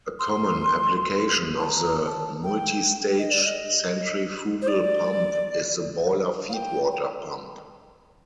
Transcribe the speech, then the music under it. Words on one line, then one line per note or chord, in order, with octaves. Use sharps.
A common application of the multistage centrifugal pump is the boiler feedwater pump.
C6
A5
A#5
A5
G5
D#5
D5
D#5
C5
D5
F5
G5
G5